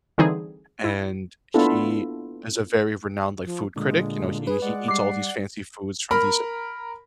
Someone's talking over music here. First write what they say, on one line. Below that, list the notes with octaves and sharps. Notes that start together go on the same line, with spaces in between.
and he is a very renowned, like, food critic, you know, he he eats all these fancy foods from these
D3 E3 G3 C4 D#4 G#4
E4
A#3 B3 D4 E4 F4 A4
F3
A#2 D3 G#3
G#4 B4
G#3 D5 F#5
G3 D6 C7
A#4 A#5 B5 F6